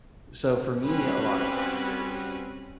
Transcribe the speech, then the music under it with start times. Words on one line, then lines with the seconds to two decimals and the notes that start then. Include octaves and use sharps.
So for me, a lotta times, it's
0.82 G3 C4 C#4 F#4 B4